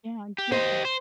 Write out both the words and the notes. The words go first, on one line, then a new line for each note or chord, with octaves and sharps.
Yeah, exactly.
G4
G4 C5 D#5
C5